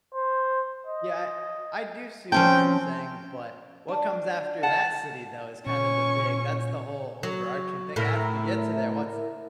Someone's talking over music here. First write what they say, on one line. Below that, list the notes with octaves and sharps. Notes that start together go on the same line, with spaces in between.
Yeah, I do see what you're saying, but what comes after that city, though, is kinda the big that's the whole overarching thing, after you get to there, what's
C5
D#5
F3 C4 C#4 G5 A5
D4
F5 F#5 A5
A#2 C#4 C#6
F#3
A2 E4 A#4